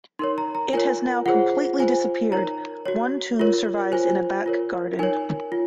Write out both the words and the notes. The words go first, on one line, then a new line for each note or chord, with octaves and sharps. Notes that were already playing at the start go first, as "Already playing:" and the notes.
It has now completely disappeared; one tomb survives in a back garden.
D#4 A#4 C#5 C6
A#5
A#5
F4 A#4 C#5 G#5
F4 G#4 C5 F#5
F4 C5 G#5
D#4 A#4 C#5 A#5
F#4 C#5
F4 A#4 C#5
F4 C5 G#5
F4 A#4 C#5
D#4 A#4 C#5 G#5
F4